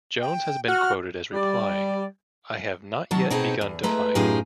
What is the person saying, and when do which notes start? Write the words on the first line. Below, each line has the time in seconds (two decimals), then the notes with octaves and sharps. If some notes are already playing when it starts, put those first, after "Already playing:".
Jones has been quoted as replying, "I have not yet begun to fight".
0.21 G5
0.68 F#4 F#5 F6
1.33 G3 D5
3.11 D#3 F#3 A5
3.30 B2 C4 D#4 F#4 G#4 A4
3.61 E2
3.83 G#3 A3 E4 B4 A#5
4.15 F#2 A2 D#4 F4 G4 G#4